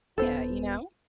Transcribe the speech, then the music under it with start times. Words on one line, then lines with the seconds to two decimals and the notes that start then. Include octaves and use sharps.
Yeah, you know?
0.18 D#1 B3 A4 C5